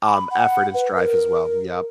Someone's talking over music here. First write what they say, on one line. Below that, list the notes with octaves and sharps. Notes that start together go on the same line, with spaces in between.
um, effort and strife as well. Yep.
B5
F#5
B4
A#4